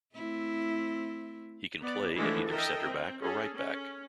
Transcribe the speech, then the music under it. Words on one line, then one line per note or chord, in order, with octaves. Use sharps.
He can play at either centre back or right back.
A3 C4 E4
B3 D5
D3 E3 F3 G#3 A3 E4
A4 A#4 D#5 E5 G5
C4
C#4 G#4 A4
C#4